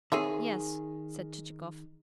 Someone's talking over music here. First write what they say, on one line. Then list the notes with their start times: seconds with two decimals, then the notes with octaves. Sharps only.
"Yes," said Chichikov.
0.12 D#3 C4 G#4 C#5 E5